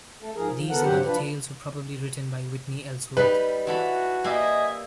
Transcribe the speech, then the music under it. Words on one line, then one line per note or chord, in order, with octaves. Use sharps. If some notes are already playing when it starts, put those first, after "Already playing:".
These and other tales were probably written by Whitney Ellsworth.
A3 A4
G#2 F3 G#4 A#4
F3
B3 A4 A#4 F#5
G2 C3 F#3 G4 C5 F#5
F3 D4 F4 B4
G3 D#4 B4
E3 F#4 A4 B5
G3 A#3 D#5 E5 G#5